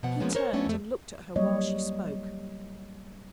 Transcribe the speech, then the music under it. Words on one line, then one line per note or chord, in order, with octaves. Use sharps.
He turned and looked at her while she spoke.
B2 F3 F#5
F3 G#3 A#3 B3 C#4
A#4 C5 C#5
A3 B3 C#4 D4
F2 A3
F#3 G3 A#3 C#5 D#5